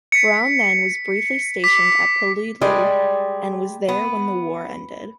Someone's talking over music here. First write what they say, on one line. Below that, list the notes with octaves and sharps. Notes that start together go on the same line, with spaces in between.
Brown then was briefly stationed at Peleliu and was there when the war ended.
B6 C#7
D6 B6
G3 G#3 D5 D#5
B3